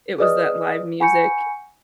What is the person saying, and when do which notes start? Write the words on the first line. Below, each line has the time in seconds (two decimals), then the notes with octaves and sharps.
It was that live music.
0.18 G#4 B4 D5 D#5 D#6 F6
1.00 F#5 G#5 B5 C#6 G6 C#7